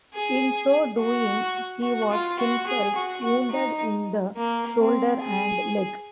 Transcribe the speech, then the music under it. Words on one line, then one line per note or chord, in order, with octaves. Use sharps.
In so doing he was himself wounded in the shoulder and leg.
G#4
F#4
F#4
F4
F#4
G#4
F#4
F#4
D#4
A#3
C4
G#4